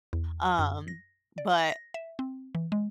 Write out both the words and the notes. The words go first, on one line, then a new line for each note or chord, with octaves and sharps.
um but,
E2
F#2
A#6
D5
A#6
E5
C4
E3
G#3